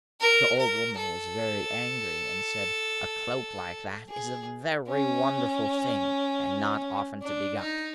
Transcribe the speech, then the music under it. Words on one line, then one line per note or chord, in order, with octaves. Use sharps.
The Old Woman was very angry, and said: 'A cloak like that is a very wonderful thing, and not often to be got.
A#4
A#4
A4
G#4
C#4
D4
D#4